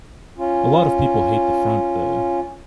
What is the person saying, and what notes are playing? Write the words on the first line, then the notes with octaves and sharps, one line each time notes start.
A lot of people hate the front though.
C#4 F4